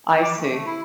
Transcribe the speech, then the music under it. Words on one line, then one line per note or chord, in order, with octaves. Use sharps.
I see.
D6
A3
A3
E4